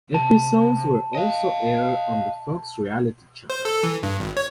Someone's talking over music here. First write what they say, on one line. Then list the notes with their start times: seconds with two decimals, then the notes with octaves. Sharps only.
Episodes were also aired on the Fox Reality Channel.
0.14 C3 A5
1.15 D#5 F5
3.50 C5
3.65 A4
3.83 E3
4.03 G2
4.20 G#1
4.37 C#5